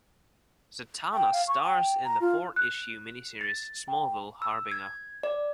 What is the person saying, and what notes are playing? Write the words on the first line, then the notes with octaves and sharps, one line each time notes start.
Zatanna stars in the four-issue mini series, "Smallville: Harbinger".
G5
F5
C#6
G5
A#5
F4
F#6
A6
G5
E6
G#6
D5